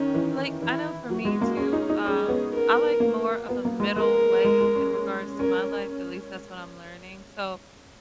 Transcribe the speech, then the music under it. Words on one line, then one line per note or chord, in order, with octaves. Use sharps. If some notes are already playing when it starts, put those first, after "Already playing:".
like, I know for me too, um, I like more of a middle way in regards to my life, at least that's what I'm learning, so,
Already playing: D#3 C#4
E3
E3 E4
F#3 F#4
G#3
A#3
C#4 G#4
D#4
D#4
C#4 G#4
B3
A#4
A#3
B3
A#3
G#3
G#3 A#4
G#3
G#3
C#4
C#4 A#4